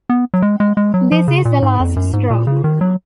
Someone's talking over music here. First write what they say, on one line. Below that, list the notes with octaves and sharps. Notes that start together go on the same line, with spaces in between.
This is the last straw.
B3
F#3
G#3
G#3
G#3
F#3
F3
C#3
A#2
G#2
F2
F#2
G#2
A#2
C#3
D#3
F#3